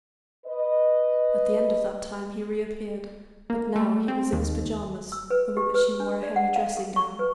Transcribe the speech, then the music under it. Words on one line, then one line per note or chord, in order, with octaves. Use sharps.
At the end of that time he reappeared, but now he was in his pyjamas, over which he wore a heavy dressing-gown.
B4 D#5
A#3
A3
C4
D#2
E6
B4
G4
B4
D4
D5
F#5
F5
A4
C#6
B4